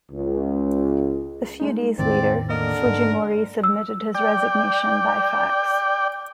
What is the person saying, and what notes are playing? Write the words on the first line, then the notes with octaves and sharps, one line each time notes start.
A few days later, Fujimori submitted his resignation by fax.
C#2
G#3 A3 D#4
E2 A2 D#3 C4 D5
D3 A#3 A#4 D#5
G#2
E6
D5 G5